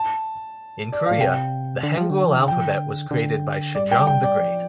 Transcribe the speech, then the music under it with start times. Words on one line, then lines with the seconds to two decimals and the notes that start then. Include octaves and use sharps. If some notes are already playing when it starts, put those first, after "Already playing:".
In Korea, the Hangul alphabet was created by Sejong the Great.
Already playing: A5
0.93 D5
1.06 F5
1.11 A2
1.20 C3 G5
1.83 D3
1.97 F3
2.10 D3
2.25 F3
2.38 D3
2.48 F3 G5
2.65 D3
3.11 D3
3.75 G3 D5
3.91 G5
4.07 G5
4.24 D5
4.39 F3